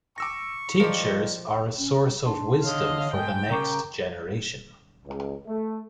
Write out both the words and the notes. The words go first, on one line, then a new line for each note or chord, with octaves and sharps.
Teachers are a source of wisdom for the next generation.
C#6 D6 E6 A#6
A#2 D#3 F3 G4 A#4
C#4
D4 A5 C6
D3 C#5 D#5 F5
G#2 G5 G#5
C#3 A#4 A#5 C#6 D6
C#2
A3